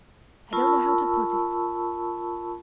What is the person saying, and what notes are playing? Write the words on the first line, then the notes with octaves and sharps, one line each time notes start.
I don't know how to put it.
F4 A#4 A5 B5 C#6 E6